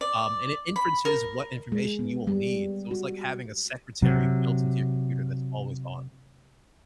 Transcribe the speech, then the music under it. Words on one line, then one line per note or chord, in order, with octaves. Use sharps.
um, and it inferences what information you will need, so it's like having a secretary built into your computer that's always on.
D5
B5
A#4
G#3
B3
G3
F#4
C3 F#3